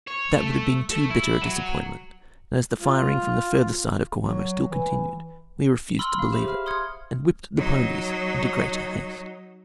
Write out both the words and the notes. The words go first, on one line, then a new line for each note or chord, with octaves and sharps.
But that would have been too bitter a disappointment, and as the firing from the further side of Coamo still continued, we refused to believe it, and whipped the ponies into greater haste.
C#5
A3
A3
E4
F#3
F4
F#3
E3
B5 C6 E6 F6 F#7 G7
F5
G4 G#4 C5 E5 B5
F5 F6
C6 D#6 F6 G#6 C#7
F#3 D#4